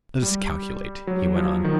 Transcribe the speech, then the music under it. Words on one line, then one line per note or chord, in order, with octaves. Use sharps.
"Let us calculate," he went on.
G3
F#3
F3
D#3